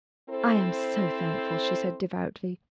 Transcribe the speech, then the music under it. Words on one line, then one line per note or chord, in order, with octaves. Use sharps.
"I am so thankful," she said devoutly.
C4 E4 A4 C5